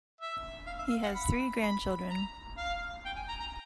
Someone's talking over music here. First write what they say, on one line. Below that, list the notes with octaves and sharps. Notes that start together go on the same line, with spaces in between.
He has three grandchildren.
E5
F5
E5
F5
F#5
B5
B5
A#5
F5
G5
G#5
A#5
A#5